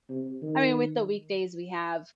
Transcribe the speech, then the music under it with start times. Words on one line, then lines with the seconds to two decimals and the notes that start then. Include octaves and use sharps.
I mean, with the weekdays we have
0.09 C3
0.42 D#3